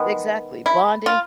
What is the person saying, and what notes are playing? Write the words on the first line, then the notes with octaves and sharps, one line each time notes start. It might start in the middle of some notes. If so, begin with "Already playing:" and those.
Exactly, bonding
Already playing: D#3 G#3 B3
E4
F4